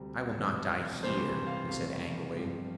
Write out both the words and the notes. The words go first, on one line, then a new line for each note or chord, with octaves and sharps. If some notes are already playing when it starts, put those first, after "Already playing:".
"I will not die HERE," he said angrily.
Already playing: D2 C3 G3
E1 E2 C3 E3
C2 C3 E3 G3 C4 C5
F5
C2 B2 A3 C4 F5
A1 G2 F3 C4